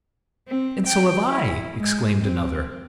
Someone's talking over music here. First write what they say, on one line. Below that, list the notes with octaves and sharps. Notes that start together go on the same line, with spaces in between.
"And so have I," exclaimed another.
C4
G5
E4
G#3
C4